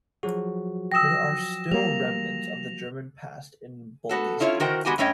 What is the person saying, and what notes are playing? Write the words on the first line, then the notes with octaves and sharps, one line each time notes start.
There are still remnants of the German past in Bolnisi.
F3 F#3 F#4 G#4
G5 D#6 E6 A#6 E7
G3 A#3 F7
B3 F#4 A4
C#4 E4 F4 C#5
D#3 F#4 A#4 C5 G5
D#3 G#3 B3 F#4 G4 G#5
G2 A3 C#4 C#5 D#5 G5